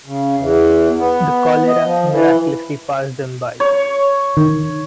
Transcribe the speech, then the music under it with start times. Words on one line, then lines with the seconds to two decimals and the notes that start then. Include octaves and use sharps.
The cholera miraculously passed them by.
0.06 C#3
0.38 E2
0.98 B3
1.68 D#5
1.84 F3
2.12 E3
3.60 C#5
4.37 D#3